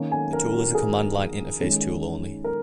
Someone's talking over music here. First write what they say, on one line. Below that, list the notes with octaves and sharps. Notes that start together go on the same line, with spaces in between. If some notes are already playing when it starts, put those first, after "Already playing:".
The tool is a Command Line Interface tool only.
Already playing: D#3 A#3 C#4
G#5
A#4
F#4
G#4
D#3 G#3 C#4
A#4